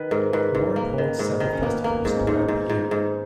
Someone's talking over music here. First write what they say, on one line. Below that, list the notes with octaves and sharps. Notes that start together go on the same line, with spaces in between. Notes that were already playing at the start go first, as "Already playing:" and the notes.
Warren holds several festivals throughout the year.
Already playing: D#3 A#4 B4
G#2 A#4
G#2 B4
G#2
A#3
D#3
G#2
D#3 A#4
C#4
A#3 B3
A#3
G#2 D#4
C#4
G#2 D#4
G#2
G#2
G#2